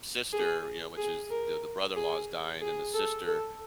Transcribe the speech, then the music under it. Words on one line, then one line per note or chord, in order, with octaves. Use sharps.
sister you know, which is the the brother-in-law is dying, and the sister
G#4
G#4
A#4
G#4
G#4
A4
A4